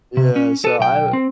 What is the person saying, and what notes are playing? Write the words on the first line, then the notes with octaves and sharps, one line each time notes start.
yeah, so, I, w
C3
C#4
A4 B4
B1 G5
C4